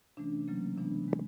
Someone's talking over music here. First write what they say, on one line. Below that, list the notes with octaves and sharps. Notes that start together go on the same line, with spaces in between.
Setting out, I had three reasons for writing in the style I did.
C3 E3 A3 C#4 D4
C#3 F#3 A#3 C#4
C3 E3 G#3 B3 D4
D#3 G#3 C4